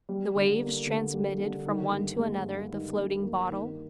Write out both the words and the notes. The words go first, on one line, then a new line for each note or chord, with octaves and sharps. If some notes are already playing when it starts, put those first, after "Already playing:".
The waves transmitted from one to another the floating bottle.
G3
D3
A#3
D3
G3
D3
D#3
G2
G#3
G2
D#3
G2
A#3
D#3